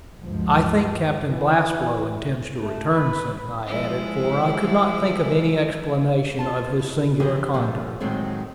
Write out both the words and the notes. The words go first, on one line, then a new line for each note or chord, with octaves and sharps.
"I think Captain Blastblow intends to return soon," I added, for I could not think of any explanation of his singular conduct.
D2 G2 F3 G#3
E3
A3
B4
F3 G#3 E4
F4 A5
E4
E3 F3 C4 G4 G#4
A#2 D3 F3 G3
A2 D#3 F#3 G#3 C4